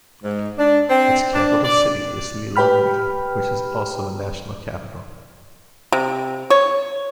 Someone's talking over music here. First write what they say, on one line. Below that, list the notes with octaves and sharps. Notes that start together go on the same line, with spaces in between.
Its capital city is Lilongwe, which is also the national capital.
G#2
D4
C4
D4
D5
G4 B4 G5 B5 F6
C3
C#5